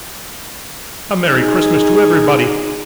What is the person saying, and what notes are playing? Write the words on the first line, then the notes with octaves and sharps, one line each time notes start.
A merry Christmas to everybody!
D#4 G#4